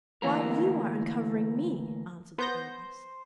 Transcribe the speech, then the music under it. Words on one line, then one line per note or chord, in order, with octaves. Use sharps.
"Why you are uncovering me!" answered the ogress.
D2 E3 A#3 A#4
B3 C5 G6 A#6